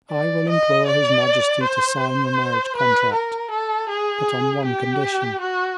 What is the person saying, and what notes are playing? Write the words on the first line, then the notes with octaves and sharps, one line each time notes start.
"I will implore his majesty to sign your marriage-contract, but on one condition."
D5
D#5
D5
C5
C5
B4
A#4
A4
G#4
G4
F#4